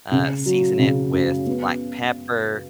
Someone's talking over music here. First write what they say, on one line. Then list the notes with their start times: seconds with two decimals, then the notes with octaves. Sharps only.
Uh, season it with black pepper.
0.12 C#3
0.46 F#3
0.79 C#3
1.13 F#2
1.47 B3